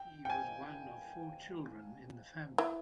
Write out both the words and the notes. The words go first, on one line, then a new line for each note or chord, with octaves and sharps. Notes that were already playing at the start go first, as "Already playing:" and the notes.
He was one of four children in the family.
Already playing: G5
G5
G#5
E3